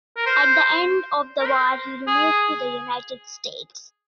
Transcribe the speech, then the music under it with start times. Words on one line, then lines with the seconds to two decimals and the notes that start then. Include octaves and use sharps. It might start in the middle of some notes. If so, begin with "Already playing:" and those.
At the end of the war he moved to the United States.
0.17 A#4
0.26 C5
1.40 A#4
1.46 C5
2.07 G#4